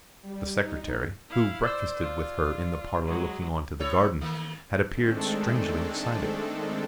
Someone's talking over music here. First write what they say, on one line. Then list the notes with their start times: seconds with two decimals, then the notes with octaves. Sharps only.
The secretary, who breakfasted with her in the parlour looking on to the garden, had appeared strangely excited.
0.22 G3
0.52 D#4
1.30 E4 F5
1.63 C5 D5 E6
2.03 F4
3.05 F#3 G#3
3.79 A2 A4 C#5
4.21 D#3 A3 A#3
4.92 D#3 G#3 A3 C4 D4 A4